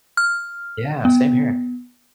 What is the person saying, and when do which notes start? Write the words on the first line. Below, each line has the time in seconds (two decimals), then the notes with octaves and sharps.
Yeah, same here.
0.17 F6
1.05 B3